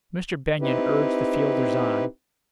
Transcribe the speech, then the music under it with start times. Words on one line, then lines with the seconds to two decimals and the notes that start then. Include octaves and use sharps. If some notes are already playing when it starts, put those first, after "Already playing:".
Mr. Benyon urged the fielders on.
0.61 C4 D#4 E4 G4 B4